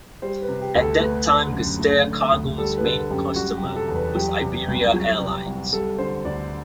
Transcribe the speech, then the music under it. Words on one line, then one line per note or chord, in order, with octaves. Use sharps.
At that time Gestair Cargo's main customer was Iberia Airlines.
G3 C5
B4
C3
G4
D2
A4
A3 B4
D3
F#2
A3
D3
D2
G3 A4
B4
D3 A4
F#2 G4
G3 F#4
G4
C3
A4
E2
B4
F#3 G4
C3
C2
F#3
C3
C2
G3 A4
D3 C5
D2 D5